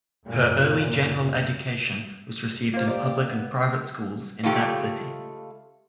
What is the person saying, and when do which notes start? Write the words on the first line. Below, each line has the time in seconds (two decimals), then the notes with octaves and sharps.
Her early general education was received in public and private schools in that city.
0.25 F#2 A#2 A#3
2.74 A#3 F4 C5
2.87 G4 C5 D5
3.29 B3
4.43 C#3 G#3 A3 F4 G4 A4